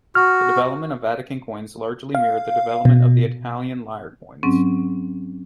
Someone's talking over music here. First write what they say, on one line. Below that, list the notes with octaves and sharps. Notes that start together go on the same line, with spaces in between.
The development of Vatican coins largely mirrored the development of the Italian lire coins.
F#4 F6
F5
B2
G#2 F#3 C4 C#4